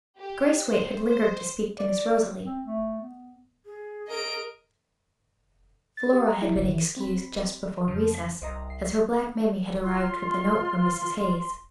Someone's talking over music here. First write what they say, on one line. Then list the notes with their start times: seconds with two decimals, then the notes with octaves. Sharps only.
Grace Waite had lingered to speak to Miss Rosalie; Flora had been excused just before recess, as her black mammy had arrived with a note from Mrs. Hayes.
0.19 G4
0.66 C5
1.06 C5
1.79 D5
2.45 C4
2.65 A3
3.02 B3
3.66 G#4
4.08 A#4 D#5 D7
5.97 A6
6.13 G4
6.28 A#5
6.42 E4
6.55 G1
6.69 E3
6.97 C4 B5
7.88 F2 C#3 F3
8.42 C2 C5 D#5 A#5
8.70 C7
9.84 F4 C6